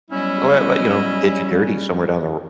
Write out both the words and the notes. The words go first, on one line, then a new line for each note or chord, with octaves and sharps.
l l, you know, did you dirty somewhere down the ro
F#3 G3 B3 C#4 E4 D#5